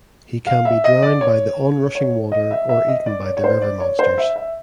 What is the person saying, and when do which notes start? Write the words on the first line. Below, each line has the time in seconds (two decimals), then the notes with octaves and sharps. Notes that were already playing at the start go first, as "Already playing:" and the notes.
He can be drowned by the onrushing water or eaten by the river monsters.
0.47 F5
0.65 E5
0.84 D#5
1.02 D5
1.21 C#5
1.95 C#5
2.32 D#5
2.51 E5
2.69 E5
2.88 D#5
3.06 D5
3.25 C#5
3.37 C#5
3.44 C5
3.62 D5
3.80 C#5
3.99 C5
4.18 E5
4.36 E5